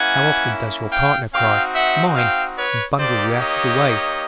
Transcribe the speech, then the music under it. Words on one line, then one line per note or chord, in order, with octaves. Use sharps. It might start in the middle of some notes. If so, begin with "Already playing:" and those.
How often does your partner cry "Mine!" and bundle you out of the way?
Already playing: A#3 C#4 E4 F#5 G#5
F5 G5
C4 D#4 F#4 F5 G5
E5 F#5
F5 G5
B4 C#5
A#3 D#4 G4 C5 D5
C#5 D#5